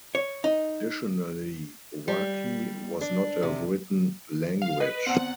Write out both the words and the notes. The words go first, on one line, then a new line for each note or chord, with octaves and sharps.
Traditionally Wakhi was not a written language.
C#5
D#4
G3
D4
C3
F5
B4 D#5
E2 C4 F#5